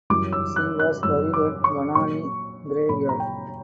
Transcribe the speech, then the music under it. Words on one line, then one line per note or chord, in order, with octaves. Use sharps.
She was buried at Banani Graveyard.
F#2 E3 G3 D6
E6
F#6
F#6
F#2 E3 G3 E6
D6
C#6
A#2 F#3 C#6
A#2 F#3 B5
A#5
G5